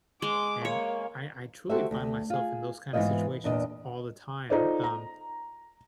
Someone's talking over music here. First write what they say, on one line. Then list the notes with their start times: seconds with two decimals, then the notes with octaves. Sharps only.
And I I truly find myself in those kinda situations all the time, um,
0.22 G#3 D6
0.65 A#3 C#5
1.70 F#4 G4 A4 C5 E5
1.91 D2
2.30 F4 G#4
2.93 G#2 E3 B3 C4 F4 D#5
3.44 E2 A#2 D4 D#5
4.50 D#4 F4 A4 C5 D5
4.84 A#5